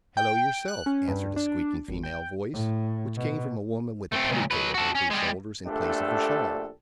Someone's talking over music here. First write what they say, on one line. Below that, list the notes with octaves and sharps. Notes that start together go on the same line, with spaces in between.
"Hallo yourself!" answered a squeaking female voice, which came from a woman with a petticoat over her shoulders in place of a shawl.
G5
F#6
C#4
G2
D4
G#1
G5
A2
B2
A3 C4
C#2 A#2
F#3 B4
F#4 A4
C#4
G3 G#3
A#1 A3 D4 G4 A4